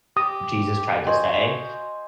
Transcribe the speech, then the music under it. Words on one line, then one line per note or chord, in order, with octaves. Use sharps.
Jesus tried to say,
G4 D#6
F#4 C5 D#5 G#5